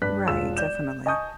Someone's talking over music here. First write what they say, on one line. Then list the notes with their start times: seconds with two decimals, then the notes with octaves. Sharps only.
Right, definitely,
0.02 G2 D4 B4 F#6 B6
0.28 E1 F4 G#4 E6 E7
0.57 D5 G6 E7
1.06 D#5 G#5 A5 C#6 D#6 G6